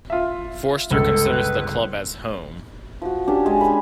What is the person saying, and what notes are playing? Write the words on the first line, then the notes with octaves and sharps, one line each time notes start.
Forster considers the club as "home".
F4 E5
G1 C#2 A4
B4
F3 F#4
C#4 D4 G4
G#3
G#5 B5